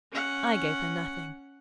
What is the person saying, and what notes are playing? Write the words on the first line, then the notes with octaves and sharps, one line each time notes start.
'I gave her nothing.
C#4 F#5